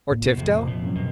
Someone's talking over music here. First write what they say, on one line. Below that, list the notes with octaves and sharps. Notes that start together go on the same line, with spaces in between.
"Or Tifto?"
A#2
B2
F2 C3
A#2
F#2
B2